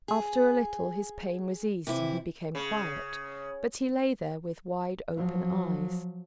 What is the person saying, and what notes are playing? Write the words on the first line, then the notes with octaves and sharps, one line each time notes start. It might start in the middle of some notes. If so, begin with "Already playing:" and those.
After a little his pain was eased and he became quiet, but he lay there with wide open eyes.
G#4
C3 E3 E4
C#3
F3 F#3